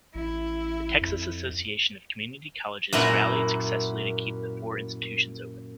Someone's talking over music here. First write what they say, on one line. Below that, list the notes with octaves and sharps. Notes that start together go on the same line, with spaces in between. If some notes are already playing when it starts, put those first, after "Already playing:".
The Texas Association of Community Colleges rallied successfully to keep the four institutions open.
A1 E4
F2
F#2 A#2 E4 A#5